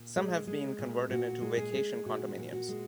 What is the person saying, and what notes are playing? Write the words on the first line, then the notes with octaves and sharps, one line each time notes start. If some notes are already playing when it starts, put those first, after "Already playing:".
Some have been converted into vacation condominiums.
Already playing: A#2
G#3
G#3
A#2
A#2 F#4
G#3
G#4
G#3
A#2 F#4
A#2
F#4
G#3